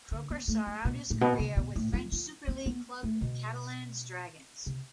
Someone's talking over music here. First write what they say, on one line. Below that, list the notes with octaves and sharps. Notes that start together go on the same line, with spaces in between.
Croker saw out his career with French Super League club Catalans Dragons.
D3
B3
A3
G3
B2
A2
B2
C3
B2
A2
F3
F3
C4
B3
A3
B2
C3